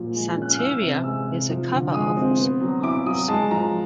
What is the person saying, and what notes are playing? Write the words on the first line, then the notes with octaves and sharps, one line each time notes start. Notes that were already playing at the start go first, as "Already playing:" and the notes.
"Santeria" is a cover of the Sublime song.
Already playing: A#2 F3 F#3
G#3
C#4 F#6
F6
E3 E6
C3
G#3 E6
C3
F3
D3
G#3 D#6
C4
B3
F#3
E4 D6
F#3 D#6
G#3 A5
F3 A#5